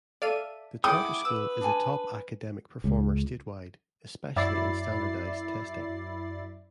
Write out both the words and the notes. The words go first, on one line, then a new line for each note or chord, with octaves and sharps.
The Charter School is a top academic performer statewide, especially in standardized testing.
A4 D5 E5 F5 D#7
C#4 E4 A#4 F#5 G5 D6 D#6
B4 E6
D4 G#5
C#2
F#2 E4 D5 B5 A6 C7